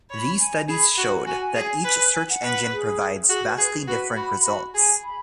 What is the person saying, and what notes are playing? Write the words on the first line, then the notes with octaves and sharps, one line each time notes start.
These studies showed that each search engine provides vastly different results.
C#5 B5
G#5
G#4 B5
F#4
F#4 G#5
G#5
G#4
B4
G#5
F#5
B4
G#4
F#4 G#4
B4
G#4 B4
G#4
F#4 B4
F#4 B5
F#4
G#4 G#5
B5